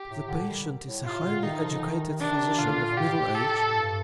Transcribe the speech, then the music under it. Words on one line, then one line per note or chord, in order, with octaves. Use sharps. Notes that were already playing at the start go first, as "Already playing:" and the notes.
The patient is a highly educated physician of middle age.
Already playing: G4
A2 C3
A#2 D3
D#3 G3
A2
A2 C3 F4
A#2 D3
C3 D#3 D#4
D3 F3
C3 D#3
C3 D#3 D4
A#2 D3 F4
A#2
A2 C3 G4
A4
G2